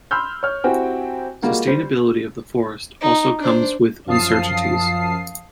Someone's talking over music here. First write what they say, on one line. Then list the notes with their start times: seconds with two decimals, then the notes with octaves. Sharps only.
Sustainability of the forest also comes with uncertainties.
0.11 B5 C6 E6 F6 G6
0.43 C#5 F6
0.64 C4 E4 F#4 G4 G5 G#5
1.42 G3 G#3 A#3 F4 F#4
1.67 G3 C5
3.01 D#4
3.40 D4 C5
4.06 F#2 F3 F5 A5 D#6 C7